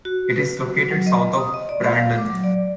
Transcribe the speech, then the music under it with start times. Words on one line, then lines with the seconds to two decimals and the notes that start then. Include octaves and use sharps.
It is located south of Brandon.
0.05 F#4
0.36 B4
0.57 F#4
0.91 F#3
1.07 D#5
1.38 D#6
1.54 D#5
1.69 D5
1.93 F5
2.18 D6
2.30 F#3
2.44 D5